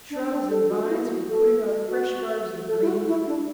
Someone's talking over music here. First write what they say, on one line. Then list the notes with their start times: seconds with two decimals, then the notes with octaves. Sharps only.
Shrubs and vines were putting on fresh garbs of green.
0.10 D4
0.30 D4
0.51 A4
0.70 F#4
0.90 E4
1.10 F#4
1.29 A4
1.88 F#4
2.68 A4
2.81 E4
2.87 F#4
3.07 E4
3.27 D4